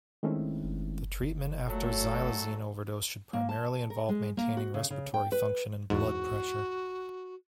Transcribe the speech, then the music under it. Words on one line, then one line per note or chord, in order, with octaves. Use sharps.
The treatment after xylazine overdose should primarily involve maintaining respiratory function and blood pressure.
D#3 G#3 A3 C4 C#4 E4
A#2 F#3 A3 A4
A#3
A5
A#4
G#3
A#3
F#4
C#3
C#3
G5
B4
E2 G#2 F#4